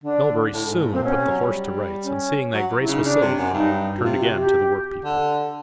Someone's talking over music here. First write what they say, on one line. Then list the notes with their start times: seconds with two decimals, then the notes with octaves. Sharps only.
Melbury soon put the horse to rights, and seeing that Grace was safe, turned again to the work-people.
0.04 D3 D4
0.53 A2
0.66 G#2
0.79 A2
0.92 A#2 C4
1.04 B2 C#4
1.17 C3
1.29 F#3
1.41 G3
2.04 C#4
2.54 F#3
2.80 E4
2.87 C#3 D#4
3.04 C#3 D4
3.21 C3
3.38 F#2
3.54 G2 D#4
3.98 F#4
4.04 C3 F4
4.21 F#4
4.38 G4
5.04 D3